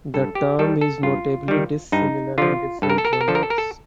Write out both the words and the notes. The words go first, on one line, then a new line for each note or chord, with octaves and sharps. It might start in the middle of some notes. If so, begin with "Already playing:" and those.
The term is notably dissimilar in different genres.
G2 A4
G4
D#3 G3 A4
A4
G2 F4
D#3 G3
G2 D#4
D3 F3 F4
G2 A4
A#4
A4
A#4
A4
A#4
D3 F3 A4
A#4
A4
A#4
A4